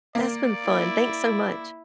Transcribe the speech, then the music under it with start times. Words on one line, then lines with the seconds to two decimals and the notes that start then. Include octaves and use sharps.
that's been fun, thanks so much.
0.15 A#3 D5
0.64 E4